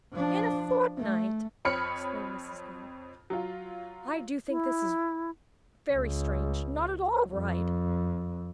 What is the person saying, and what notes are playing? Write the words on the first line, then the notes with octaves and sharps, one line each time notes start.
'In a fortnight!' exclaimed Mrs. Hale, 'I do think this is very strange--not at all right.
F3 D4
A3
F2 C4 C#5 B5 F6 C#7
F#3 F4
E4
C#2
F2